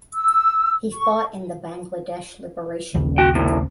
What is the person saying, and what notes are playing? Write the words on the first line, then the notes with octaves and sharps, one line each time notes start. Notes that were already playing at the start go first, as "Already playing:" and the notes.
He fought in the Bangladesh Liberation war.
E6
C#6
A#1 D#2 C#3
F#4 G5
A2 C3